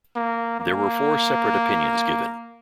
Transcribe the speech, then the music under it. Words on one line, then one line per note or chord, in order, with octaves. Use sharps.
There were four separate opinions given.
A#3
A#3